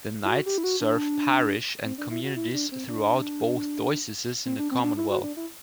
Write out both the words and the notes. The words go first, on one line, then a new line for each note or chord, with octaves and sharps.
The Knights serve parish and communities throughout both dioceses in the Commonwealth.
E4
F#4
G4
E4
F#4
D4
C4
D4
E4
F#4
E4
D4
C4
D4
C4
D4
C4
D4
E4
F#4
D4
E4